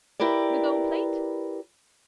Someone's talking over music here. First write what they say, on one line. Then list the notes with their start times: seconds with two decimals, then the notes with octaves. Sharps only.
"The gold plate?"
0.20 E4 G4 A#4 B4 D5